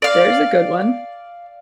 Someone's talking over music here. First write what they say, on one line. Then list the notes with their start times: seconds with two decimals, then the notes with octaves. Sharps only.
There's a good one.
0.02 D5 F5